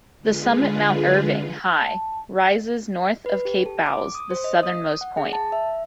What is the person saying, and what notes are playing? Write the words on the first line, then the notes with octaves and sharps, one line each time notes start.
The summit Mount Irving, high, rises north of Cape Bowles, the southernmost point.
D3 G#3 F4 G#4 B4
A5
B4
G4
A4
D6
D#6
C5
D#5
D#6
F#5
G#4
A5
E5